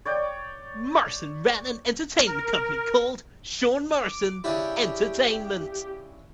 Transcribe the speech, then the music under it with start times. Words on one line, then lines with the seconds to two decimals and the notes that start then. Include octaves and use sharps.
Morrison ran an entertainment company called Sean Morrison Entertainment.
0.05 C#5 D5 G5
2.26 A#4
4.04 D6
4.44 C#3 D4 E4 G4